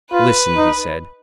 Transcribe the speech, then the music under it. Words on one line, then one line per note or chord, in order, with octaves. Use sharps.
"Listen," he said.
F4 B4
D#4